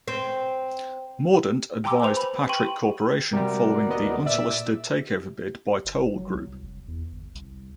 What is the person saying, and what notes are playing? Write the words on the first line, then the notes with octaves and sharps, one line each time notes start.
Mordant advised Patrick Corporation following the unsolicited takeover bid by Toll Group.
C4
G5 G#5 A#5 C6 D6 E6
B4 C5 F7
B5
G5 C6 C#6 D#7 F#7
C3 G3 F#4 A#4 D5
D#2 B3 D#5
A#2 D5 E5 E6
F#1
F#3
C2
F1
E2
G1
C2